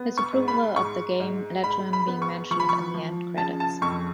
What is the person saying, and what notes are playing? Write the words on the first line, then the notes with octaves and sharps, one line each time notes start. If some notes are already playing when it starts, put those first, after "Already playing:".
His approval of the game lead to him being mentioned in the end credits.
Already playing: B3
C#6
G#2
B5
G#2 C#6
G#2
G#2 B5
B5
B3
C#6
F3 C#6
B5
C#6
F3
C#3 A5
A5
F2 C#6